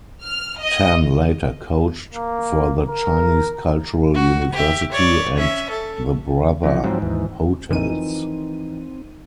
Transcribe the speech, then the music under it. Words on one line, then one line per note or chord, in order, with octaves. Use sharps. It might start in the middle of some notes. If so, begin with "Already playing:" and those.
Tan later coached for the Chinese Cultural University and the Brother Hotels.
F6
D#5
A#3
A#4
F#4
G4 E5
C#5 D5
C#4 E5
A4
F2
G#2 F3 F#3 C4
D#2 E3
F2 D#3 E3 C4 D#4 D#7